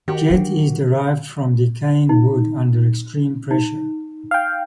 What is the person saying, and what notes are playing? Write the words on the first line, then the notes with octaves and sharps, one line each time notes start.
Jet is derived from decaying wood under extreme pressure.
D#3 F#4 G4
E3 D4
D#4
D#4
F5 G5